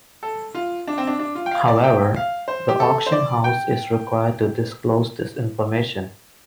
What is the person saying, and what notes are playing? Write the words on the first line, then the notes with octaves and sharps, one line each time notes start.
However, the auction house is required to disclose this information.
A4
F4
D4
C4
D4
D4
F4
G5
F5
D5
G5
F5
C5
G4
A4
C5
D5
G5